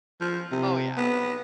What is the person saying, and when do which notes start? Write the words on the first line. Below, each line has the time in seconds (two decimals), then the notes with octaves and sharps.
Oh, yeah.
0.21 F3
0.51 C3
0.97 B3